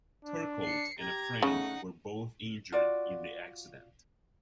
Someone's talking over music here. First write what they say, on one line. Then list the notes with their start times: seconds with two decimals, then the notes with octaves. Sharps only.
Turcotte and a friend were both injured in the accident.
0.25 D4
0.64 C7 C#7
0.99 G4 A#5 G#6
1.43 C#3 A3 D#4 F#5
2.72 F4 F#4 D5